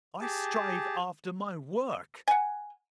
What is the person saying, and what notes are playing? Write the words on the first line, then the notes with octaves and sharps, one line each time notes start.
I strive after my WORK!
G4 G#4 A5
F#5 G#5